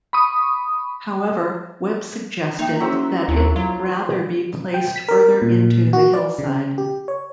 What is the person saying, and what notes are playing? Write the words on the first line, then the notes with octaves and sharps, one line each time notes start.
However, Webb suggested that it rather be placed further into the hillside.
B5 C#6 D#6
A#3 D#4 E5 G5
F#3 C#4 E4 G#4 C5 E5
D#2 C4 D#4 E4
F#3 F4
G5
B6
A#4
A#2
F#4
D5
C#3
G4
C#5